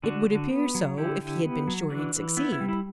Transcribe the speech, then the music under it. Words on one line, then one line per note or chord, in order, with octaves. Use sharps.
"It would appear so if he had been sure he'd succeed."
D3 D4 F#4
D3
B3
F#3
D3 E4 G4
D3
B3
F#3
E3 D4 F#4
E3
B3 E4
E4
G3
E4